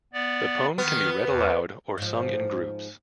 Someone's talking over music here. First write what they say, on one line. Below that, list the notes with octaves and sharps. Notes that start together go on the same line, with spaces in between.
The poem can be read aloud or sung in groups.
B3 D5
D#3 B3 F6
E2
G#2 F3